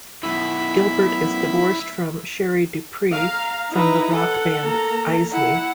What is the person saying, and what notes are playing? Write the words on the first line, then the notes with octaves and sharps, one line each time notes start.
Gilbert is divorced from Sherri DuPree from the rock band Eisley.
F#2 B2 E4 B5
F5 A#5
D#4 E4 B4 A#5
A4 F#5
A#3 A#5
E4 F#5